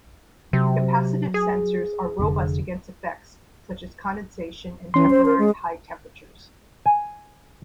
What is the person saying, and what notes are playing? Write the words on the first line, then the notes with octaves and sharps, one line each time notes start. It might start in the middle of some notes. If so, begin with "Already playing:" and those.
Capacitive sensors are robust against effects such as condensation and temporary high temperatures.
C3 F#3
G#4
F1 B2 D3
E3 C#4 C6
C5
A#4
G#3
G#5